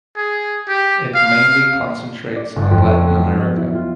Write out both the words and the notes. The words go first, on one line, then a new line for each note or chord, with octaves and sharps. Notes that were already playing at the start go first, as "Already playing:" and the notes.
It mainly concentrates on Latin America.
G#4
G4
F5
D5
G1
F2
C#5
B3
F#3
D#5
E4
F4